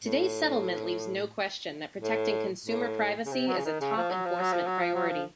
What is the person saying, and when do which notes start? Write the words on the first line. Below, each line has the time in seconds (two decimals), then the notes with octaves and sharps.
Today's settlement leaves no question that protecting consumer privacy is a top enforcement priority.
0.03 A2
2.00 A2
2.66 A2
3.26 C#3
3.32 C3
3.48 F#3
3.57 C#3
3.65 D#3
3.81 C#3
3.97 F3
4.11 F#3
4.25 F3
4.40 F#3
4.52 F3
4.66 F#3
4.81 F3
4.94 F#3
5.09 F3